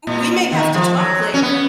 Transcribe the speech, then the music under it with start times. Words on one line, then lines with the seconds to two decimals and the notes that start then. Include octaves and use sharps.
Ooh, we may have to talk later.
0.07 A#2
0.52 D#3
0.74 F3
0.97 F#3
1.34 C#4
1.42 B3